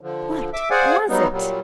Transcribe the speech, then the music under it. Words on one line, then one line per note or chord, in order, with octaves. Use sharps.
What was it?
D3 F3
E5 D6
G#4 C5 D5 F5 F#5 G#5
F#3 G3 B3 D#4
A#2 F#3 G3